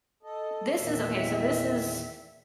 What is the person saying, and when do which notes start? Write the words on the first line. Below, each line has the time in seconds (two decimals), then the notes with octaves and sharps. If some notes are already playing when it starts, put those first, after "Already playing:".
this is okay, so, this is
0.23 A4 D#5
0.77 E2 A#2 D#3 E5